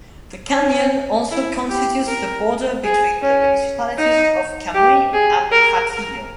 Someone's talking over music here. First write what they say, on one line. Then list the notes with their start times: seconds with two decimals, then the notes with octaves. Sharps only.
The canyon also constitutes the border between the municipalities of Camuy and Hatillo.
0.55 C#4
1.31 E4
1.69 G4
2.07 A#4
2.84 G#4
3.22 C#4
3.98 D#4
4.75 G4
5.13 G#4
5.51 A#4
5.89 A#4